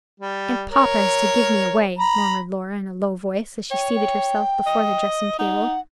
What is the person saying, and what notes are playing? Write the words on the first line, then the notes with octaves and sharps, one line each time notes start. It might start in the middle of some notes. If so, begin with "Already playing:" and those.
"And papa is to give me away!" murmured Laura, in a low voice, as she seated herself before the dressing-table.
G3
A#4 C#5
A#5 B5
C#5 G5
G5
D#5
D#4 F#5